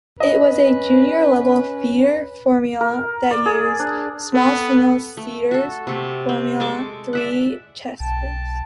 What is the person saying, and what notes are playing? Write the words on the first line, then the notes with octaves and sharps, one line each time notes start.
It was a junior-level feeder formula that used small single seater Formula Three chassis.
C#4 B4 D#5
A#4
D5
G#4
D4
B3 C4 A4
A3
F#4 A4
C3 A3 A4
C4
G#3 A4 C#6 D6
D5 E5 F#5
B1 G5 A5